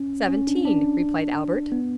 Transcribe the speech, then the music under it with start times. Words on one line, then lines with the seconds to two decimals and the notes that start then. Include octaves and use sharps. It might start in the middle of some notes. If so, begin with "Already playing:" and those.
"Seventeen!" replied Albert.
Already playing: C#4
0.29 C#4
0.47 D4
0.65 D4
1.72 B3